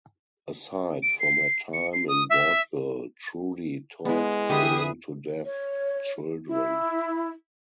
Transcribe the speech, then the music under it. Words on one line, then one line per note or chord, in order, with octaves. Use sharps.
Aside from her time in Vaudeville, Trudy taught swimming to deaf children.
D7
C7
C#7
C7
D#6
E5
G#3 B3 E4
D3 G4 G#4 B4 E5 D#6
C#5
E4